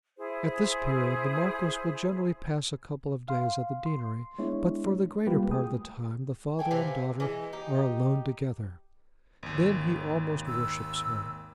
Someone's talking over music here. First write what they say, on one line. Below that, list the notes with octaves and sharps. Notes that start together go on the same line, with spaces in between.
At this period the Marquis will generally pass a couple of days at the deanery, but for the greater part of the time the father and daughter are alone together. Then he almost worships her.
E4 G#4 C5
F5 C6
C6
G#3 B3 D4 E4 C#5
G3 G#3 A#3 F4 G4 B4
A3 G#4 G5 D#6
A3 G5 G#5
C3 B4 F5 G#5
E3 G#3
D#4 G4
G#1 D#2
E6